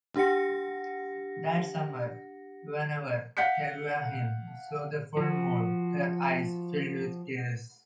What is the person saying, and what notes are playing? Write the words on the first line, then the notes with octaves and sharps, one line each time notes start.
That summer, whenever Kaguya-hime saw the full moon, her eyes filled with tears.
D4 G4 F#5 A#6 C#7
F5 F#5 G6 B6 C#7
F3 F#4